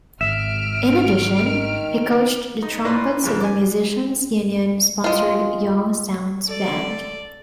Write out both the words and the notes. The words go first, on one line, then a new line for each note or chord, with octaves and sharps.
In addition, he coached the trumpets of the Musicians Union sponsored Young Sounds band.
G#1 E5 F6 D7
D#3
D#4
A2 A#3 B4 D5 C6
F2 G#2 C#3
G#5 D6
G#3 F4
A4 D5